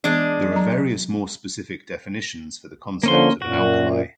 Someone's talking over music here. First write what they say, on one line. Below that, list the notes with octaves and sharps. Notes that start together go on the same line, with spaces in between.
There are various more specific definitions for the concept of an alkali.
E3 G#3 B3 D4
F#3 A#5
D3 F3 A#3 C#4 C6
F#2 A#2 F#4